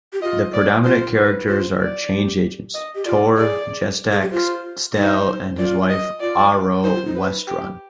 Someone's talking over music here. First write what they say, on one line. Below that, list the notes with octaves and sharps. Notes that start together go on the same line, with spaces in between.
The predominant characters are change agents: Tor, Jestak, Stel and his wife Ahroe Westrun.
G4
F4 D#5
D5
F4 C5
B4
F4 C5
D5
G4
D#5
G4
F4 D5
G#4 D5
G#4
G4
F4 C5
D#4 C5
C5
F4 D5
D#5
F4 D5
D#4 C5
F4
D#4
B4
G4